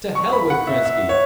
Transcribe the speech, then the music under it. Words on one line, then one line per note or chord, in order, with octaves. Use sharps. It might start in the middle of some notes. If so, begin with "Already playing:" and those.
To hell with Kerensky!
C#6
B5
F#5
E5
E5
C#5